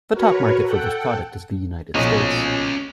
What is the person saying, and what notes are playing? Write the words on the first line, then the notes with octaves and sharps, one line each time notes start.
The top market for this product is the United States.
F#4 A#4 B4 C#5
A4 F#5 G5
B1 A#2 F3 C#4 D#5